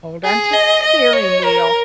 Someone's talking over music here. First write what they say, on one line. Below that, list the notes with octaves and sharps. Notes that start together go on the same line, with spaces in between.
hold on to the steering wheel
G#4
D#5
D#5
C#5
A#4